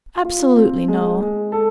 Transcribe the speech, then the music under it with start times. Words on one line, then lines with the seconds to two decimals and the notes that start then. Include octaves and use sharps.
"Absolutely no."
0.25 F4
0.56 C4
0.88 G#3
1.20 G#3
1.52 A4